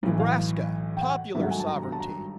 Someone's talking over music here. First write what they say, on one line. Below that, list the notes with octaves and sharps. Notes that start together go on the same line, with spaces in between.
Nebraska--Popular Sovereignty.
B1 A2 E3
F5
G5
F#5
G#1 G2 D#3 F#3 A3 E5
F#5
G#5
A5
A#5
A#5
A5
A#5